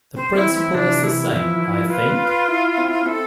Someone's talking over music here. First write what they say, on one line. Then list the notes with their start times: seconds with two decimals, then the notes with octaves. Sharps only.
The principle is the same, I think?
0.16 C4 C5
0.36 E4
0.45 E3
0.54 E4
0.75 C3 D4
1.03 E3 E4
1.32 F3 E4
1.61 F3
1.90 F4 B4
2.19 B4
2.48 E4
2.77 C4
3.06 C4 A4